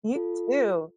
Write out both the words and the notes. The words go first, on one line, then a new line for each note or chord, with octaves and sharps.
You too.
F4 A4